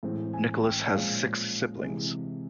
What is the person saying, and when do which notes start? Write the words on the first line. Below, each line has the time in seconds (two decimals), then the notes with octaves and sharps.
Nicholas has six siblings.
0.03 A2 E3 G#3 C4
0.33 G#5
0.64 G5
0.93 A#2 F3 G#3 C#4 F5
1.83 C3 E3 G#3